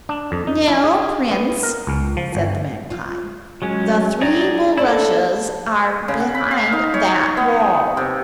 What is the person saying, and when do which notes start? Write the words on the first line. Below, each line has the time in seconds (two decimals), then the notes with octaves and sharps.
'Now, prince,' said the magpie, 'the three bulrushes are behind that wall.'
0.09 D4
0.32 F2
0.47 D#4
0.68 E4
0.84 G#4
1.31 B3
1.63 A#4
1.87 C#2
2.17 F3
2.35 G1
2.90 F4
3.62 F#3 G#3 C#4
4.21 F#3 G3 D#4 G#4 D5 A#5
4.78 C4 D4 E4 A4 D5
6.08 C#3
6.20 F#5
6.34 B5
6.51 F5
6.72 D#4
6.94 C#5
7.37 B3
7.97 C3